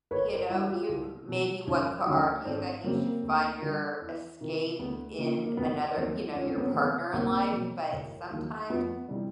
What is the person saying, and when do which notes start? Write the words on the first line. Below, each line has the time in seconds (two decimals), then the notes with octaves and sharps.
you know, you m maybe one could argue that you should find your escape in another, you know, your partner in life, but sometimes,
0.11 G1 B4 C#5
0.30 A#4 C5
0.50 G2 E3 G3 E4 F#4
0.69 F4 G4
0.89 C2
1.29 B2 F#3
1.67 E1 C#4 D#4
2.06 D2 D3 F#3 C#4 D#4
2.45 G#1 C4 D4
2.84 F#2 C#3 F#3 A#3 C4
3.23 D2
3.62 D3 G3
4.01 E2
4.41 C3 D#3
4.79 D2 B3
5.18 C#3 F3 A#3
5.44 A#3
5.57 E1 B3
5.96 D#2 D#3 F#3 A#3 C4
6.35 C#2 C#4
6.47 C4
6.57 B3 C#4
6.69 C4
6.74 C3 D#3 B3
7.13 B1 A#3 C4
7.52 B2 F#3
7.92 E1
8.30 D#2 D#3 F#3
8.70 F2 B3
9.08 C3 E3 G3